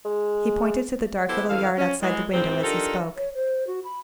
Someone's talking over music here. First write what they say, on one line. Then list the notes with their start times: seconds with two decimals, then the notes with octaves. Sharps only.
He pointed to the dark little yard outside the window as he spoke.
0.05 G#3
1.29 B3 E4 G4 A4 B4 C5
1.49 F2 D3 E3 A4 F5
1.78 C#4
2.03 E3 G#3
2.33 E2 G#2 F3 C4
2.64 D4 D#4 F4 G4 A4 A#4
3.16 C#5
3.34 C5
3.67 F#4
3.84 B5